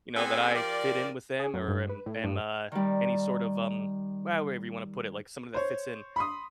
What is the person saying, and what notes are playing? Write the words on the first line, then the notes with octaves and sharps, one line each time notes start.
you know, that I fit in with them or am am, uh, any sort of, um, well, however you wanna put it, like, somebody that fits in."
B3 C4 G#4 A4 G#5
F3 G4 A#4 D5
G#4
F#2
G2
B4
A2
G2
D#3 G3
C5 C#5
B5 C6 D#6